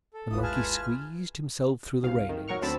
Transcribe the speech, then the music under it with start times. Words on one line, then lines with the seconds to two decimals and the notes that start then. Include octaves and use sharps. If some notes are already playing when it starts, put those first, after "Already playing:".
The monkey squeezed himself through the railings.
0.14 A4
0.31 G#1 D#2 E4 F4 B4 D#6
0.43 G#4 G#5 A5 F6
2.03 C2 F5
2.29 D#3
2.48 F#3 A#4 C#6 F6
2.62 D2 C4 A5 B5 E6